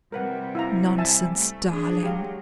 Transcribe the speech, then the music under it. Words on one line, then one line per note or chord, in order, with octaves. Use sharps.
'Nonsense, darling!
C3 G3 A#4 B4 F#5
E4 F5 A#5
E5 G#5 A5
A3
E3 D4 G#4
F#3 G#3 G4 F5